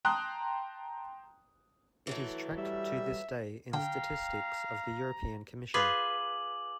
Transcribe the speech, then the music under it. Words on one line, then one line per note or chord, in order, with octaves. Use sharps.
It is tracked to this day in statistics of the European Commission.
G5 A5 A#5 C6 D#6 F#6
E3 F#3 A3
G3 E5
D3 F5 G5 A#5
F4 G#4 B4 D6 F#7